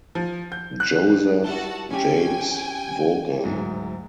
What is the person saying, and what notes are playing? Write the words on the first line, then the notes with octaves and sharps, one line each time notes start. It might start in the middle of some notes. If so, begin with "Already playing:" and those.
Joseph James Vaughan.
F3
G6
F#6
G3 E4 F#4 F#5 A5 G7
C#4 G4 G5 G#5
D2 G#2 F#3